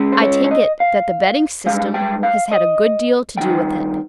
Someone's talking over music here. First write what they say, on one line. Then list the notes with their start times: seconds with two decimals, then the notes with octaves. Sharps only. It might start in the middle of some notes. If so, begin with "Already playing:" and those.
I take it that the bedding system has had a good deal to do with it.
Already playing: C#2 C#3 G#3
0.12 C5
0.22 C#5
0.44 C#5
0.51 D#5
0.80 F5
1.66 F3 G#3 F5
1.71 G2
1.94 G5
2.23 F5
2.52 D#5
3.37 G#3 G5
3.41 G2 D#3